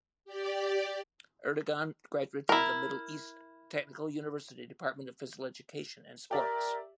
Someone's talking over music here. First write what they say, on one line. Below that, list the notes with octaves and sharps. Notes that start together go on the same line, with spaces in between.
Erdogan graduated from Middle East Technical University Department of Physical Education and Sports.
G4 D5
E4 A#4
G4 A#4 D5 E5